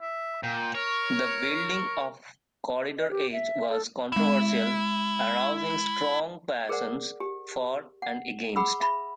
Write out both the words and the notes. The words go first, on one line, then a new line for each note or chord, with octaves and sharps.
The building of Corridor H was controversial, arousing strong passions for and against.
E5
A#2 G5
A#4 C#5
D#5
G4
E5
A4
G#3 E4 E7
G#4 A#4 C5 D5 F#5
G4
F#5
G#4 F#5 B5 D#6 E6
E5 B5